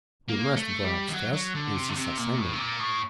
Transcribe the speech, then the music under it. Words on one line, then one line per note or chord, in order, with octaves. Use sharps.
We must go upstairs and see Sir Simon.
A#3
A3
G3
D#3
F#3
F#3
D3
C3
D3
C3
A#2
A2
C3
A#2
A2